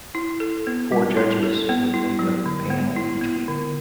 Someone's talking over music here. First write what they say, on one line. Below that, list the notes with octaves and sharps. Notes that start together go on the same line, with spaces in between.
Four judges would make up the panel each week.
E4
A4
B3
G3
E4
A4
B3
E4
F#3
D3
B3
E4
B3
D3